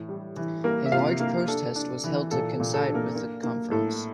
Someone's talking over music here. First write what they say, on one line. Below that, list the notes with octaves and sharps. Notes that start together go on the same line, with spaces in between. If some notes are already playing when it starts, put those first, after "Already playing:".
A large protest was held to coincide with the conference.
Already playing: A2 E3
G3
E3
G3 A#3 A#4
E5
C3 F4 F5
A#3 A#4
D4 A4
D4
E3
A#2 A4
A4
A#2
A4
D4
A#3 A#4
A#3
A#3
A2 A4